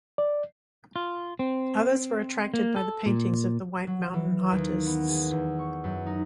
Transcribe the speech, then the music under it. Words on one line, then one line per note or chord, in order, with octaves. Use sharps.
Others were attracted by the paintings of the White Mountain artists.
D5
F4
C4
A#3
A4
A#2
F#3
E3
D#2
B3
G#4
E2
C#6
F#2
D#4